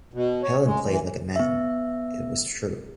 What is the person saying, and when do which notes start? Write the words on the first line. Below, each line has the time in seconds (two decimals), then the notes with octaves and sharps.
Helen played like a man, it was true.
0.13 B2
0.43 C#5
0.65 G#3
0.86 E3
1.36 B3 E5